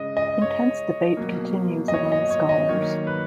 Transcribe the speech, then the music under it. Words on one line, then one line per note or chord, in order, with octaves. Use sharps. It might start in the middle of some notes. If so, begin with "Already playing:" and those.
Intense debate continues among scholars.
Already playing: C#3 G#3 D#5
D#5
C#5
B2 F#3 A#3
D#5
C#5
D#5
C#5
D#5
D#3 F#3 A#3 C#5
B4